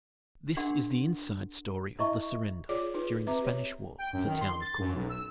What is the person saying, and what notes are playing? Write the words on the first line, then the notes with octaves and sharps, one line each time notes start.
This is the inside story of the surrender, during the Spanish War, of the town of Coamo.
D4 G4 G#4 A#4 F#5 C6
E4 A4 D#5 E5 A#5 C#6
F4 G#4 C#5 D5 D6
D#4 F4 G#4 B4
C4 B4 E5 A#5 D6
G4 C#5
G5
F#2
D#3
C6
A6
F#2
B1
E6